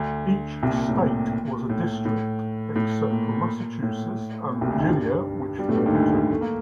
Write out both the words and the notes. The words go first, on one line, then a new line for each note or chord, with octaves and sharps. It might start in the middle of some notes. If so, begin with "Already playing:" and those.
Each State was a district, except for Massachusetts and Virginia which formed two.
Already playing: D2 D3
C2 C3
A#2
A2
A#2
A2
A2
A2
A#2
A2
A#2
C2 C3
D2 D3
D#2 D#3
G2 G3
G2 G3
A2 A3
G2 G3
D#2 D#3
D2 D3
A3
A#3